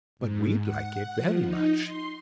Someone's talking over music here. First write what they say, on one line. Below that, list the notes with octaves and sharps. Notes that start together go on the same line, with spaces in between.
But we'd like it very much.
G#2
F#5
F3
D#4
C6